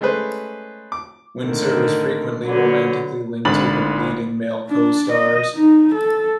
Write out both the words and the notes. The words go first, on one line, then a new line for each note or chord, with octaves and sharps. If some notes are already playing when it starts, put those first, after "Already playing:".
Windsor was frequently romantically linked to her leading male co-stars.
G#3 A3 C#4 G#4 B4 C5
D6
A2 D3 D#3
D3 F#3 B3 C#4
G#1 G#2 D3 B5 A6 F#7
D4
D#5
D#4
A4